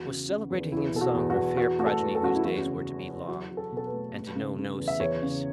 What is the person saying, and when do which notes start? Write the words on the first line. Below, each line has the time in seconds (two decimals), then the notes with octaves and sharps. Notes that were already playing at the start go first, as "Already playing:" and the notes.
'Was celebrating in song her fair progeny whose days were to be long, and to know no sickness.
Already playing: E2 F#4
0.09 C#3
0.30 C#3
0.50 E2
0.72 E2 E4
0.94 B2 A4
1.01 F#4
1.15 E2
1.30 F#4
1.36 E2
1.57 E3 F#4
1.79 A3 F#4
1.86 A4
2.00 E3
2.15 A4
2.22 F#2 F#4
2.35 E4
2.43 E2 F#4
2.65 C#3
2.86 E3
3.07 E3
3.28 F#3 F#4
3.51 F#3
3.57 A4
3.72 B2
3.77 A4
3.86 B4
3.93 A3
4.15 A3
4.35 C#3
4.57 C#3
4.79 E2
4.88 E5
4.99 E2 C#5
5.22 C#3